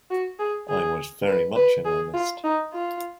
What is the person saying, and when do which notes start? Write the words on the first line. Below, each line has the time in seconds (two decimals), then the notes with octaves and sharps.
I was very much in earnest.
0.10 F#4
0.39 G#4
0.69 G#4
1.26 B4
1.56 B4
1.85 G#4
2.14 F4
2.44 D#4
2.73 F4